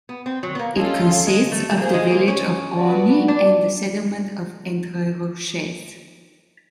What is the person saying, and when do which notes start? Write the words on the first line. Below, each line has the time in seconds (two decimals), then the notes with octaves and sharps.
It consists of the village of Orny and the settlement of Entreroches.
0.09 B3
0.26 C4
0.43 F#3
0.55 B3
0.59 A#3
0.76 G#3 C#4 F4 A4
1.27 G#3
1.52 A3
1.70 A3
1.77 A#3 F4 G#4 C5
1.94 G#3
2.11 A#3
2.28 C#4
2.78 F#4 B4 D5
3.28 D4